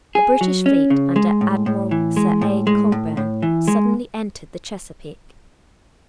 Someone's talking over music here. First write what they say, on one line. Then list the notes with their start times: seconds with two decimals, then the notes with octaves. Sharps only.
The British fleet under Admiral Sir A. Cockburn suddenly entered the Chesapeake.
0.15 G#4
0.41 F#3
0.66 C#4
0.90 C#3
1.16 G#3
1.41 A2
1.66 A2
1.91 E3
2.17 G#3
2.41 A2
2.67 G#3
2.92 A2
3.17 A2
3.42 E3
3.68 G#3